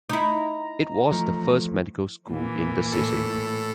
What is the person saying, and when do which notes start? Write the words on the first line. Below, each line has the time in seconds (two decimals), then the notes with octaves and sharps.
It was the first medical school in the city.
0.09 D#4 E4 A#5
1.11 E3 F3 A3
2.30 A#2 E3
2.92 A2 A4